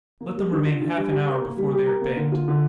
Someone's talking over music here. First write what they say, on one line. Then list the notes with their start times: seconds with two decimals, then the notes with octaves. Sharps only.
Let them remain half an hour before they are baked.
0.21 A#3
0.36 G3
0.52 D4
0.66 F4
0.82 D4
0.97 G3
1.12 G4
1.26 A#4
1.42 A#3
1.57 G3
1.72 G4
1.87 A#4
2.02 A#3
2.17 D3
2.32 F4
2.48 D3